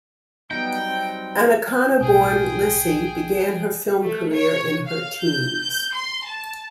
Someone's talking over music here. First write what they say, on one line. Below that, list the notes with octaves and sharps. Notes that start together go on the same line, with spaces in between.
Ancona-born Lisi began her film career in her teens.
F#3 G3 B3 D#4 G5
C4
B1 A2 G#4 G5 G#5 D#6 G6
A3
C#5
F5
G6
G6
C6
A5